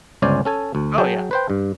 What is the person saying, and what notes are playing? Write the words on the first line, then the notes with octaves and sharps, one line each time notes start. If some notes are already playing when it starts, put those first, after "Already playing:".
Oh, yeah.
G1 C#2 C#4 C5 D5 G#5
C#4 A4 G#5
D2
F#3 G#4 G5 A5
B4 C5 G5
G2